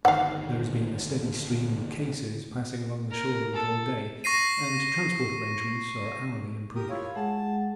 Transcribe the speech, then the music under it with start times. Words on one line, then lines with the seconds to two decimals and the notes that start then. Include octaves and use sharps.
There has been a steady stream of cases passing along the shore route all day and transport arrangements are hourly improving.
0.05 G1 D2 D#3 F5 F#5
3.11 A#4
3.53 A4
4.24 C#6 A#6 C7 D#7
6.75 G4 A#4 D#6
6.89 E4 F4 C#5
7.16 G#3 G#4 F#5 A5